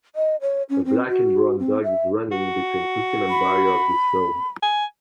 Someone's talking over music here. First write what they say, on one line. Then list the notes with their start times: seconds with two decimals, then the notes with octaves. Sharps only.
A black and brown dog is running between two cement barriers with snow.
0.16 D#5
0.41 C#5
0.69 C#4
0.85 C4
1.09 F#4
1.59 C4
1.84 E5
2.32 F#4
3.30 B5
4.63 G#5